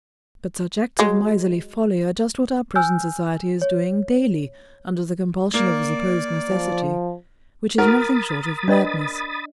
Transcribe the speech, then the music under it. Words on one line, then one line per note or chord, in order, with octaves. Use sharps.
But such acts of miserly folly are just what our present society is doing daily under the compulsion of a supposed necessity, which is nothing short of madness.
F#3 G#3
G#5 E6 F6 G6
C#5
A#3 D5
F3
D#4 F#4 A#4 F#5 B5 D#6 A6
G3 D4 B4 D5 D#5